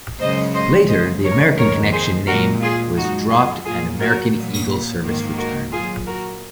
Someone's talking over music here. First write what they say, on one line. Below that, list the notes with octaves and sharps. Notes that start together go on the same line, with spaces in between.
Later, the American Connection name was dropped and American Eagle service returned.
F#2 C#3 G#3 C5 D#5
C5 D#5
F#2 C#3 G#3 C5 D#5
A#4 C#5
F2 D#3 A#3 A#4 C#5
G#4 C5
A#2 G#3 F#4 A#4
F4 G#4
F#2 F3 G#3 D#4 F#4
F4 G#4
A#2 F#3 A#3 F4 G#4
F#4 A#4
A#2 F#3 A#3
G#2 D#3 A#3
F#4 A#4
A#2 F#3 A#3 F4 G#4
F#4 A#4